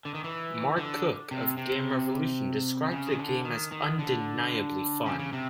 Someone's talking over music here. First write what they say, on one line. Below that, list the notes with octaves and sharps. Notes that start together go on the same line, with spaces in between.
Mark Cooke of Game Revolution described the game as "undeniably fun".
D3
D#3
E3
D3
C3
C3
C#3
D#3
D3
D#3
D#3
D3
C#3
C#3
C3